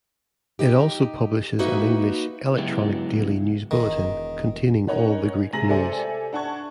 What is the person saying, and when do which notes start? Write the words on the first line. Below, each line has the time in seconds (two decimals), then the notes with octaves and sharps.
It also publishes an English 'Electronic Daily News Bulletin' containing all the Greek news.
0.59 D#4 G4
1.59 A#3 D#4 F#4 B4 E5
2.58 C#3 F#3 G#3 B3 E4 G4
3.71 E1 D#3
4.88 C#4 D#4 A#4 C#5 F#5
5.53 C3 G#3 G#5 A#5 A#6 F#7
5.69 G4 A4 C5 D5 E5 G#5
6.33 D4 F#5 A5 C#6 G#6